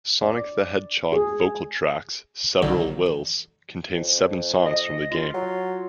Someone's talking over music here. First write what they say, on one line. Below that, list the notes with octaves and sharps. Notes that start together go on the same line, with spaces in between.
"Sonic the Hedgehog Vocal Traxx: Several Wills" contains seven songs from the game.
D5
G#4
B1 D3 D#3 F#3
F2
D#5
F4
F#3